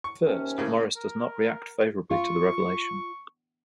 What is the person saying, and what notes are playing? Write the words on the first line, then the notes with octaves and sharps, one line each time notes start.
At first, Maurice does not react favorably to the revelation.
C#6
D#2 C3 C#4
A2 C#3 A#3
A#4
F4 C#6